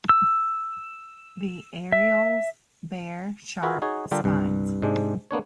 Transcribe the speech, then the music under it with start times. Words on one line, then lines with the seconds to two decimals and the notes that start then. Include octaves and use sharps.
The areoles bear sharp spines.
0.09 E6
1.92 E5
3.63 F4 F#4 G#4 A#4 B4 E5
3.82 D#4 F#4 G#4 C#5
4.11 D3 G3 F4 G4 A4 A#4
4.24 C2 G2
4.82 G#2 C3 G#3 D4
5.31 A#3 B3 D4 C#5